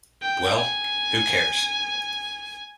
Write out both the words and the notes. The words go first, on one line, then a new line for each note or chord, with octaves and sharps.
Well, who cares?
G5
G#5